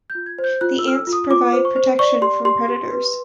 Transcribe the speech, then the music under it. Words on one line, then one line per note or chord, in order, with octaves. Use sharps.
The ants provide protection from predators.
G6
F4
G#6
C5
G6
F4 F#6
E6
A4 F6
E6
F4
D#6
F4 D6
C5
C#6
C5
D5 C#6
G4 C6
G4 C6
G4
B4